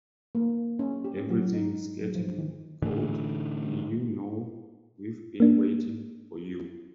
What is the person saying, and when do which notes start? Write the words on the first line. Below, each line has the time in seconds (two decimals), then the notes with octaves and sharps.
Everything's getting cold and you know we've been waiting for you.
0.35 A#3
0.79 C#4
1.04 G4
1.17 C#4
1.30 F#3
1.54 D#4
2.01 F#3
2.15 F3
2.38 D#3
2.82 A2 D3 E3
5.40 A#3 D4